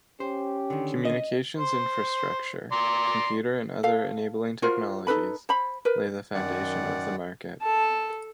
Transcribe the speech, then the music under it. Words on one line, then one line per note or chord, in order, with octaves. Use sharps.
Communications infrastructure, computer and other enabling technologies lay the foundation of the market.
C#4 G4 C5
D3 D#3
D#5
C5
D5 A#5 C6
A4 F5
F4 F#4 A#4 C5
D#4 A4 B4 B5
C5 B5
A#4 B4
F#2 D#3 D5 F#5
A4 A5